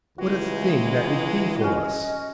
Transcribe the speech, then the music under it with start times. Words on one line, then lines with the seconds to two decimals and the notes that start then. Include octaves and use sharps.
'What a thing that would be for us!'
0.18 C#2 E3 G#3 F#4
1.61 C#4 F#4 D#5